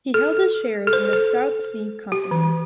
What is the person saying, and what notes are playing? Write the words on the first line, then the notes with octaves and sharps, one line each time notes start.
He held shares in the South Sea Company.
A4
A4
C5
A4
G4
E3